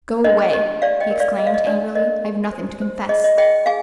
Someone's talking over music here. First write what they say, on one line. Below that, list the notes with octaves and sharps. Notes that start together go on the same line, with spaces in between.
"Go away," he exclaimed angrily, "I have nothing to confess."
D4 D#5
G4 D#5
G4 D5 F5
D#5 G5
A#4
D5 F5
G#4 D#5
F5
D#5
D4 D5
A#4 D#5
G4
C5
C5
G#4 D#5
D#5
G#4 D#5 G5
G#4 F5 G#5